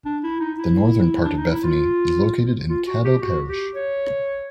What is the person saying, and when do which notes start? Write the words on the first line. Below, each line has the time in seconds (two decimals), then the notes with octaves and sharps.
The northern part of Bethany is located in Caddo Parish.
0.06 D4
0.24 E4
0.40 D#4
0.58 E4
1.25 D4
1.38 D#4
1.51 E4
1.64 F4
2.69 F4
2.87 F#4
3.05 G4
3.22 F#4
3.49 G4
3.75 C#5